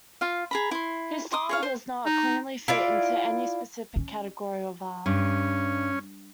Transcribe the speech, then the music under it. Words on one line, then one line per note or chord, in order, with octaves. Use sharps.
His style does not cleanly fit into any specific category of art.
F4 F5
G#4 A#5 B5
E4 C6
C6 D6 D#6
G#4 C#5 F5
C5
D#4
E4 F4 D5
C#4
G2 C#4